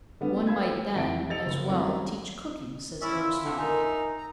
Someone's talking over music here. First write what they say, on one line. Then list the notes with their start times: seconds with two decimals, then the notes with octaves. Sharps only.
One might then as well teach cooking, says Aristotle.
0.21 D3 G3 A3 B3 D4
0.47 A4 B4 F5 B5 E6 G#6
0.96 F1 C3 E5 F#5 A5 D7
1.30 G4 D#5 E6 A6 C#7 F7
1.46 F#1
1.69 F#3 G3 A3 C4 C#4
3.01 C#4 E4 D5 E5
3.15 F4 E5
3.44 D3
3.58 D#4 A#4 G#5
4.18 A#5